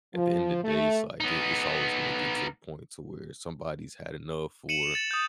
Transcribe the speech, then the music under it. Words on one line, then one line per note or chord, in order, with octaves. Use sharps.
at the end of the day, it's like i it's always gonna get to a point to where somebody's had enough, or
F3
A3
B3 D#4
C#7 D#7 E7 F#7
F7
A6
D#6 G6